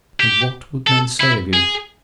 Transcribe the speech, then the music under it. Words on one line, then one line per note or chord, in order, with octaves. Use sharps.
"And what would men say of you?"
G4
A4
E4
G#4